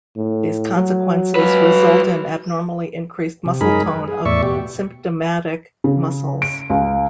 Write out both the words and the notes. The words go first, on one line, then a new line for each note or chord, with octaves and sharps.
These consequences result in abnormally increased muscle tone of symptomatic muscles.
A2
F#3
F4 B4
C3
F#2 G#3 D#4 G#4 A#4 B5
B4
G#4
E2 A2 D5 E5 C#6
B2 G4
C#3
D7
C#2